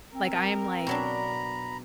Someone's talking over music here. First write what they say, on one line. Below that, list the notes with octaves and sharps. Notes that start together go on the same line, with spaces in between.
like, I am like,
C4 A#4
B2 F#3 D4 A#5 B5